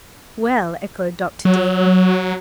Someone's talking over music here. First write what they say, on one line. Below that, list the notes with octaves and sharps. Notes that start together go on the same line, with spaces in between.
"Well," echoed Dr. Dean.
F#3